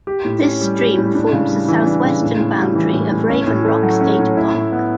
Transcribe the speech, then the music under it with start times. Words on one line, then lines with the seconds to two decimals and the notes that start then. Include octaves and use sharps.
This stream forms the southwestern boundary of Raven Rock State Park.
0.07 G4
0.25 A2
0.43 C#4
0.61 G3
0.79 G4
0.97 A2
1.15 D4
1.33 C#3
1.50 G3
1.68 E3
1.87 D4
2.04 C#3
2.22 A2
2.40 A2
2.58 G3
2.75 E3
2.93 A2
3.11 A2
3.30 C#4
3.47 A2
3.65 A3
3.83 F#3
4.01 C#4
4.18 A2
4.37 E4
4.54 A2
4.72 B3